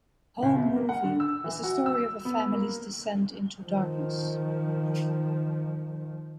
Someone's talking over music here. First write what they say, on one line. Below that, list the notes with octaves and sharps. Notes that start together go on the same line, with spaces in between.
"Home Movie", is the story of a family's descent into darkness.
C#2
C3
A#3
F#5
D3
E6
E3
F#4
E6
B3
A#3
D#3 F3